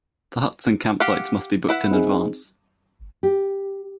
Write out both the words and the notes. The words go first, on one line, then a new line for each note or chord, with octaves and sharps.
The huts and campsites must be booked in advance.
G4 F5 F#5
E4 B4 F#5
C4 D#4 G#4
G4